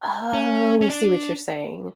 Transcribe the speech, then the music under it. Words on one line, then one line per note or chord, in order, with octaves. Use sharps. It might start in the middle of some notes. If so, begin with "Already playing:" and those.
Oh, I see what you're saying.
C#4
C#4
D4